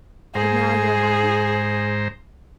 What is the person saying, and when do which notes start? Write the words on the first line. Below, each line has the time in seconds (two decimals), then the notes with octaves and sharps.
"But now you are happy?"
0.35 G#2 G#4 C5 A#5